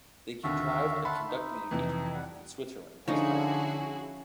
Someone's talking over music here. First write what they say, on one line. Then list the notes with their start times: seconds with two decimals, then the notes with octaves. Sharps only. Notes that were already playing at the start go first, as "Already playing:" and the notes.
They contrived a conducting engagement in Switzerland as cover.
0.44 D#2 D3 F#4 E5 F5
1.05 E5 F#5 A5 B5 C6
1.28 D#4
1.71 F2 C3 E3
2.14 G3 F#5
3.08 D3 F3 C#4 D#4 E4 F#4 G#4